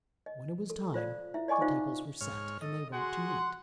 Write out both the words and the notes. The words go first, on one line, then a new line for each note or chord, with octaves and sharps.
When it was time the tables were set, and they went to meat.
D#5
A4
F4 C5 D5 F5
E4 E5
D5 D#5 G#5 C#6 D6
D#4 F4 C5 F5
G#2 C#5 F6
A4 D#5
F#4 G#4 F#5 C6